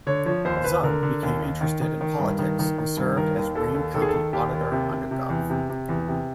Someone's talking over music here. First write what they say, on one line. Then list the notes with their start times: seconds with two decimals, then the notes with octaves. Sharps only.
Zug became interested in politics and served as Wayne County Auditor under Gov.
0.07 D3 C#5
0.26 F3 C#5
0.45 D#2 C5
0.57 C5
0.64 D#2 B4
0.83 D3 A#4
1.03 D3
1.23 D#2
1.42 D#2
1.61 D#3
1.81 D#3
2.01 D#3
2.19 G2
2.39 D#3
2.59 D#3
2.78 D#3
2.97 G2
3.16 D#3 A#4
3.36 D#2
3.55 D#2 A4
3.74 D#2
3.94 D#3 A4
4.02 G#4
4.08 A4
4.14 D#3
4.33 D#2 G4
4.53 D#2
4.72 C3
4.91 C3
5.11 C3
5.30 E2
5.50 C3
5.69 C3
5.89 E2
6.08 C3